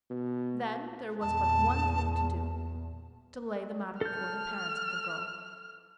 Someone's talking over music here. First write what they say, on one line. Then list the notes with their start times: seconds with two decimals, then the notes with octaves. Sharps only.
Then there was but one thing to do--to lay the matter before the parents of the girl.
0.10 B2
1.21 E2 A#2 A5
4.01 A4 F6 G6